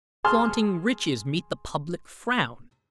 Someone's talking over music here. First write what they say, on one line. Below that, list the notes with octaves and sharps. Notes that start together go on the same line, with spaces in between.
Flaunting riches meet the public frown.
G#4 A5 C6 F6